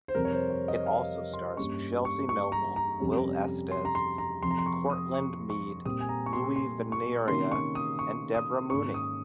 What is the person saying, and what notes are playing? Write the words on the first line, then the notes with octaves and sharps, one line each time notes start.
It also stars Chelsea Noble, Will Estes, Courtland Mead, Louis Vanaria, and Debra Mooney.
C5
F2 C3 G3 A#4
C#5
C5
C#5
D#5
F5
C6
G2 G3 A#3 C#4 C#6
C#6
C#6
A#5
A#5
F2 C3 G3 C#4
C6
A#5
C6
A#5
F2 C3 F3 C4 C6
A#5
C6
C#6
D#6
C#6
C#6
A#2 G3 C4 D#6
G#5
A#5
C#6
C6
C6
C#6
C3 D#3 A#3 C#4 C6
C#6
D#6
C#6
D#6
G#2 D#3 A#3 C#4 C#6
D#6